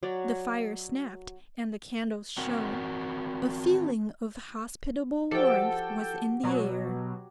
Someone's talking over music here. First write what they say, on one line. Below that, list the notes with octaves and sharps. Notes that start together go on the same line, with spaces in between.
The fire snapped and the candles shone; a feeling of hospitable warmth was in the air.
F#3 F#4 C#5 D5
C4 F#4 A#4 F#5
F3 F#4 G4 A4 G5
B2 F#3